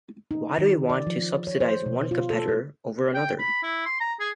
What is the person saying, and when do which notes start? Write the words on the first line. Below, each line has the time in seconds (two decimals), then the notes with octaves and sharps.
Why do we want to subsidize one competitor over another?
0.31 D#4
0.58 D#3
0.89 D5
1.07 F3
1.47 C#5
1.60 C5
1.86 B2
2.11 F4
2.30 A4
2.48 A3
3.14 G5
3.39 B5
3.63 E4
3.86 C6
4.00 A#5
4.20 G#4